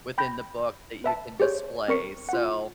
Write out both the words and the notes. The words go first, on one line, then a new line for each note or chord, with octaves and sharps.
within the book that you can display, so
G5 B5 G6 A#6
B4 E5 A5
G4 G#4 C5 C#5
C4 A#4 C#6 C#7
F4 F#5